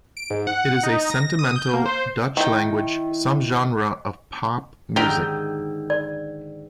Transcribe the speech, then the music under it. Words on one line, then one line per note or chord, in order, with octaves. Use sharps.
It is a sentimental, Dutch-language subgenre of pop music.
D7
G#2
F#5
D#4
A#6
D#6
G6
A#3
C5
D#3 E4 G5
G#2 D3 D#3 G4 A#4 G5
D5